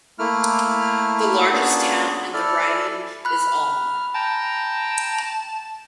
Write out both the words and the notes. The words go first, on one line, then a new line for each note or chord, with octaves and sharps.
The largest town in the riding is Alma.
A3 A#3 E4 F6
A#3 B3 C#4 D4 F4 G#4
E4 A4 D5 F6
B5 F6 F#6
G5 A5 A#5